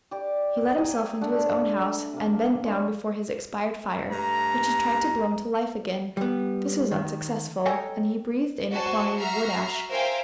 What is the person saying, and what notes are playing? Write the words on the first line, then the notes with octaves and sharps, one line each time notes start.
He let himself into his own house, and bent down before his expired fire, which he tried to blow into life again. This was unsuccessful, and he breathed in a quantity of wood-ash.
G4 D5
G4 G#4 F#5 A#5
A3 D4 F#5
C3 A#3
G#3 D4 C#5 G#5
G2 A3 A#5
G3 B3
D#3
A4 C#5 D#5 G5 G#5 A#5
F#4 C5 G#5 A5 C#6
F#4 E5 A#5 F6 C7
A#4 C5 E5 F5 G5 G#5